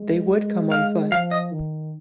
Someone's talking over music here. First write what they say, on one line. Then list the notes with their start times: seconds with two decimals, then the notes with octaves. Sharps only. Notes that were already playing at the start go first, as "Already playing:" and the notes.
They would come on foot.
Already playing: G#3
0.32 G#3
0.72 F5
1.12 F3 F5
1.31 D#5
1.52 D#3